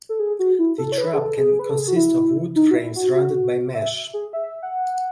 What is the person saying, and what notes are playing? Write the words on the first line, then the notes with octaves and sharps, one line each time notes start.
The trap can consist of a wood frame surrounded by mesh.
A4
G#4
F#4
E4
A4
C#5
B4
G#4
A4
G#4
B4
A4
G#4
F#4
E4
D#4
F#4
E4
F#4
F#4
E5
G#4
E5
F#5